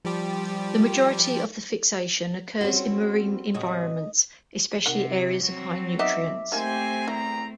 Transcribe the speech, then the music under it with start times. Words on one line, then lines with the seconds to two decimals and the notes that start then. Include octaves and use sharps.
The majority of the fixation occurs in marine environments, especially areas of high nutrients.
0.05 F3 G3 G4
2.61 G3 C4 C#4 F#4
3.54 A2 C#3 F#4 D#5 D#6
4.86 C3 D#3 F#5
5.45 F#3 C4
5.99 B3 D#4 D#5 E5 D6 B6
6.52 A3 A#3 C4 D#4 G4 C5 G#5
7.08 E2 E4 G5 A#5